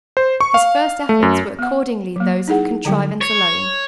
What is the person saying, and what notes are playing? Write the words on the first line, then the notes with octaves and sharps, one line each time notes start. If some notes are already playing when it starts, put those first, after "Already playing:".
His first efforts were accordingly those of contrivance alone.
C5
C#6
F5
A3
F#2
B3 F#5
F#3 A#3
D#4 E4 G#4 F#5
D3 F#3 G3 G4 G5
C#5